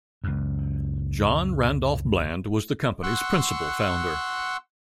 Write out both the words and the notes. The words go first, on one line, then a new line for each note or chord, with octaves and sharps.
John Randolph Bland was the company's principal founder.
C#2 F#2
F#5 C6 C#6 E6 F#6